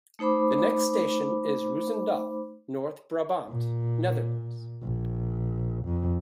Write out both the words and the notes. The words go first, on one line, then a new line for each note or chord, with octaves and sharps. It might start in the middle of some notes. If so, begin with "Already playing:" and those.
The next station is Roosendaal, North Brabant, Netherlands.
A3 D#4 C5 B5 D6
A#2
A#1
F2